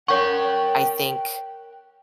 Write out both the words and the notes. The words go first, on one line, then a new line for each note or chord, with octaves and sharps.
I think
A#4 C#5 F#5 G5 C#6